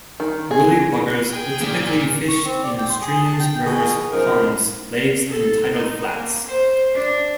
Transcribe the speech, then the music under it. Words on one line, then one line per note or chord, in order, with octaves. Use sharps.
Woolly Buggers are typically fished in streams, rivers, ponds, lakes, and tidal flats.
D#3
G#4
G#4 G5 G#5
A#3 D5
C#6
C4
D5
G5
C6
G#4
A5
G5
B2 E3 G#4
F#2 F3 D#4 A#4
A4
D#4
A#3
C5
D4